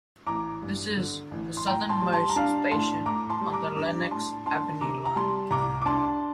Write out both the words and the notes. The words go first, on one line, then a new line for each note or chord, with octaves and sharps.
This is the southernmost station on the Lenox Avenue Line.
A1 A#5 D6
G2
D3
A1
C6
A2 G5 A#5
A5 C6
G3
A5 C6
A#5
D4 F5 A5
A2 A5 C6
A2 A#5 D6
A5 C6
G3
A#5 D6
D4 A#5 D6
A2 A5 C6
D4 A5 C6
C3 A#5 D6
A#5
G3 A5 C6
C2 A#5 D6
D6
D4 A5 C6